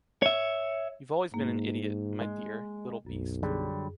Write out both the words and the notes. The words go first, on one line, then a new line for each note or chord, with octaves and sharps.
You’ve always been an idiot, my dear, little beast.
C#5 E5
G#2 A#3
G#3
B1 F#2
D3 F#3 G3 G#4